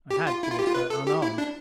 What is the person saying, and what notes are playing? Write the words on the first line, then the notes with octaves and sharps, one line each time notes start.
I had thought her unarmed.
G4
F4
E4
F4
G4
F4
B4
A4
G4
E4
D4